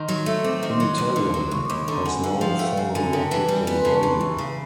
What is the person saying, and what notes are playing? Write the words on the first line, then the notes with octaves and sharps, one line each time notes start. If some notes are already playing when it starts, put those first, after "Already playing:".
In Italian, has no phonological value.
Already playing: D#3 A#5 C6
F#3
A3
C4 D6
D#3
C6 D6
F#3
D#2
D3
F#3
D#2 B5 C#6
D#2 C6 D6
B5 C#6
D3 A#5 C6
F#2 F#5 G#5
D3
F5 G5
F3
F#5
A3 F5 G5
F#2 F#5 G#5
D3 G#5 A#5
C#3 G5 A5
E3
G#5 A#5
G3
B3 G#5 A#5
C6
C#3 A5 B5
C#6
E3 A#5 C6
E2 B5 C#6
C#3